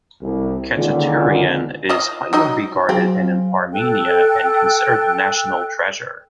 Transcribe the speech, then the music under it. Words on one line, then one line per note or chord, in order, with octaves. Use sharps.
Khachaturian is highly regarded in Armenia and considered a "national treasure".
C2
C#2 A#2 D3 D#3
F4 D#5 D#6
F#3 D#4 D#5
F#3 C4 G#4 F5
A4 G5 F#6